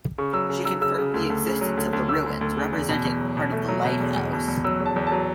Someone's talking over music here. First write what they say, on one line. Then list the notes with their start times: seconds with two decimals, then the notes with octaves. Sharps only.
She confirmed the existence of the ruins representing part of the lighthouse.
0.18 C#3 C#6
0.33 F#3 E6
0.49 C#3
0.65 F#3 E6
0.81 C#3 E6
0.98 C#3
1.14 D2
1.30 D2
1.46 C#3
1.61 F#3
1.77 D2
1.93 D2
2.09 D2 E6
2.26 D2
2.41 D2
2.57 C#3
2.73 E2
2.89 B2
3.05 E2
3.21 F#3
3.37 B2
3.52 A3
3.68 F#3
3.85 B2
4.00 E2
4.16 E2
4.33 B2
4.48 E2
4.64 F#3 E6
4.80 E2
4.86 A5
4.96 E2
5.07 A5
5.12 F#3